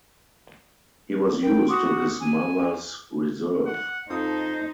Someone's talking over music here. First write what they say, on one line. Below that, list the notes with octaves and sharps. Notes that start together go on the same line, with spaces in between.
He was used to his mother’s reserve.
A#4 G5
F#4 C6 D6 D#6
G#5
F#5
F2 D#4 A4 C5 D#6